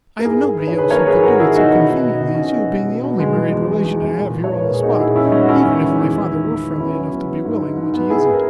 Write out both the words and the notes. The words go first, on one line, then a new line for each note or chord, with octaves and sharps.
I have nobody else who could do it so conveniently as you, being the only married relation I have here on the spot, even if my father were friendly enough to be willing, which he isn't.
A#4
G#2 E4 G#4
G#2
D#3 B4
C#5
D#3 G#4 B4
A#3 A#4 C#5
G#2 G#4 B4
G#2 F#4 A#4
D#3 E4 G#4
B2 D#4 F#4
B2
E4
B2 D#4
B2
B2 D#4
B2 C#4
D#4
B2
B2
B2
B2
G#3
G#3
E2
G#3
G#3
E2
A#2
A#2
C#5
A#2 B4
A#2 A#4
G#4
B3 D#4 F#4
A#2 E4 G#4
A#2 C#4 E4
D#4
G#3 C#4
F#4
D#3 C#4 E4
E2
D#3
E2
E2
D#3
E2
E2
B3 C#4 E4
F#3
B3
B3
G#2
G#2
G#2
B3
B3 E4 G#4
B3
A#4